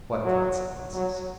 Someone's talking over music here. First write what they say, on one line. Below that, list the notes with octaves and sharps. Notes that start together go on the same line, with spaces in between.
"What consequences?"
F#3
F#3